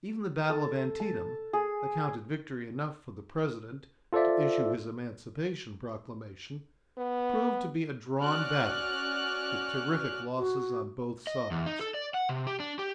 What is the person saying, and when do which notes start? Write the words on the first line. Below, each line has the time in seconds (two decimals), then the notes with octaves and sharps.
Even the battle of Antietam, accounted victory enough for the President to issue his Emancipation Proclamation, proved to be a drawn battle, with terrific losses on both sides.
0.50 A4
1.00 A5
1.53 G#4
4.13 F4 A4 C5 D5 E5
6.98 B3
8.20 C#4 F#4 D5 C#6 F6 F#6
10.38 F#4
11.27 D#5
11.51 E2
11.66 D#4
11.81 A4
11.94 D5
12.14 F#5
12.29 C3
12.47 G4
12.60 D4
12.79 G4